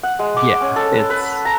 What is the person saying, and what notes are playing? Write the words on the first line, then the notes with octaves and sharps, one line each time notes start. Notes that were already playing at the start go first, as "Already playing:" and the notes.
Yeah, it's
F#5
G#3
D6
C#4
A4
B4
B4
A#5